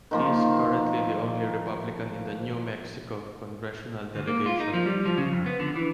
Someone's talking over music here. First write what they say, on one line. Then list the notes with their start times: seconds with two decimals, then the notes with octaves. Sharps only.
He is currently the only Republican in the New Mexico Congressional Delegation.
0.11 D#3 F3 A#3
4.15 D2
4.27 A#3
4.46 F4
4.60 D#4
4.74 F3
4.86 G3
5.06 F3
5.18 C#3
5.33 F2
5.46 B3
5.60 D3
5.76 E3